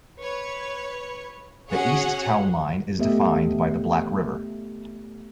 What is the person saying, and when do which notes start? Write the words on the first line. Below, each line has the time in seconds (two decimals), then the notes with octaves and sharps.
The east town line is defined by the Black River.
0.21 B4 C#5
1.70 C#4 F#4 G#4 C#5 F#5
2.99 A3 B3 G4 D#5 E5